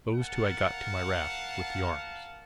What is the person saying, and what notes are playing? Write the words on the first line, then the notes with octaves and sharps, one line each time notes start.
Those two I got to my raft, with the arms.
A#4 F5 F#5 A5